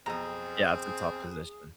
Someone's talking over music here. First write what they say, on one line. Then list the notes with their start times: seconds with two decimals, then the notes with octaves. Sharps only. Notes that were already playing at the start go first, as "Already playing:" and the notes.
Yeah, it's a tough position.
0.06 B1 F2 C4 G#4 A#5 D#6